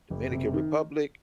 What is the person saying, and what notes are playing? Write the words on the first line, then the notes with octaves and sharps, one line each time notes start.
Dominican Republic,
F#1
C3
D#3